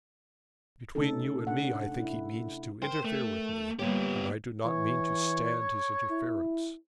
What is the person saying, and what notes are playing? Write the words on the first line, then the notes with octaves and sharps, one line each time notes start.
"Between you and me, I think he means to interfere with me, and I do not mean to stand his interference."
C3 A3 C#4 D#4 A4
D4 F#5
E4
A#4 C5 G5
A3
G3 A#3 B3 G4 C#5
E3 C#5
E4